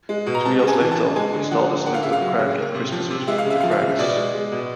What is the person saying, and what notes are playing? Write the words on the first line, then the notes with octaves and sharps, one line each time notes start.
Two years later, he starred as Luther Krank in "Christmas with the Kranks".
G#3
B2
A#5
G#3 A5
C#3 A5
G#5
E3
A5
C#3
G#3 G#5
D3
F3 F#5
D3
A#3 F#5
F5
C#3 E5
F5
F#3
C#3
A#3
C3
F3
C3
G#3 E5
F5
C#3
E5
F3 F5
E5
C#3
B2 D5
G#3
G#3
B2